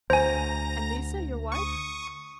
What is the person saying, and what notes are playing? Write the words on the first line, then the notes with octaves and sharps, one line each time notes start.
"And Lise, your wife?"
D2 C5 G#5 A#5 A#6
C#6 D#6